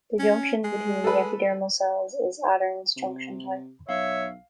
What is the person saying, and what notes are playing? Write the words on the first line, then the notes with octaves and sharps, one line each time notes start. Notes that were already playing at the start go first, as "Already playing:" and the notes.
The junctions between the epidermal cells is adherens junction type.
C#4
G#3
A4 B4
C3
B1 C#5 E5 F5